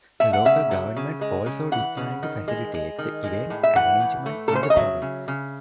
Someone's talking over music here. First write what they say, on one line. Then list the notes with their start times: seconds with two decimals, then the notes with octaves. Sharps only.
The local government also declined to facilitate the event arrangement in the province.
0.20 A3 E5
0.33 F#5
0.45 C#3 E5
0.71 F#3
0.96 C#3
1.21 G#3
1.46 C#3
1.72 E3 F#5
1.97 C#3
2.23 D#3
2.48 G#3
2.74 G#3
2.99 D#3
3.24 G#3
3.50 A2
3.63 E5
3.75 E3 F#5
4.00 A2
4.26 A3
4.48 A4
4.51 C#3 C5
4.63 C#5
4.70 D#5
4.76 F#3 E5
5.02 C#3
5.28 C#3